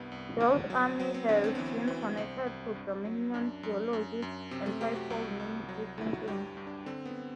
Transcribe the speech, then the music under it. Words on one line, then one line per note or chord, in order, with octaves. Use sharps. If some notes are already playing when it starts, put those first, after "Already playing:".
Joel's Army has been connected to Dominion Theology and Fivefold ministry thinking.
Already playing: C2 G2 B3
C2
D2
F#3
F#3 B3
C4
D2 D4
C4
E3 B3
C4
E3
C2 C4
C2
G2
F#3
F#2 D4
F#2
F#2
F#2
C3 C4
A3
C3 G4
F#4
C2
C2
F#3
D2 E4
F#4
G2 G4
G2
D4
D3 C4
B3